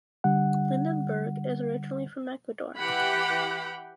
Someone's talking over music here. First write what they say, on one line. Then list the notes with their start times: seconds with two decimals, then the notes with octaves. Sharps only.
Lindenberg is originally from Ecuador.
0.24 D3 G3 F#5
2.78 E3 G4 F#5 G5 B5